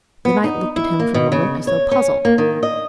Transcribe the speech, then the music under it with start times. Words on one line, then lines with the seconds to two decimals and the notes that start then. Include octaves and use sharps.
The knight looked at him for a moment as though puzzled.
0.25 B3
0.44 D#4
0.76 E4
0.99 A#3
1.14 B2
1.32 C#3
1.67 C#5
1.91 C#4
2.25 A#3
2.38 D#3
2.63 D#5